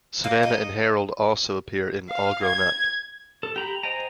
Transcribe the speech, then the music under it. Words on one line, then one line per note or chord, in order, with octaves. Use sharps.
Savannah and Harold also appear in All Grown Up!
A#3
D#4
F5
G#6
A4
G4 A#5 B5
C5 D#5 G5 G#5 A#5